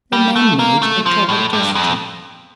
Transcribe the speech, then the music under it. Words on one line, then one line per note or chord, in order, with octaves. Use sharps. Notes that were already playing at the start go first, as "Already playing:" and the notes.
The man made a troubled gesture.
G3
A3
A#3
A3
F3
A2
G2
F2